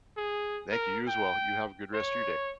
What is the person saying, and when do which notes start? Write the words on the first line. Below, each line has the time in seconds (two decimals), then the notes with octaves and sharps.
Thank you. You as well. You have a good rest of your day.
0.17 G#4
0.72 A#4
1.08 G5
1.94 C#5